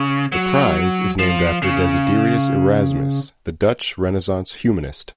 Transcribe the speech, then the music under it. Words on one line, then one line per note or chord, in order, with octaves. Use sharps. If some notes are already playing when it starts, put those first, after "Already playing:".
The prize is named after Desiderius Erasmus, the Dutch Renaissance humanist.
Already playing: C#3
F#3
F3
C#3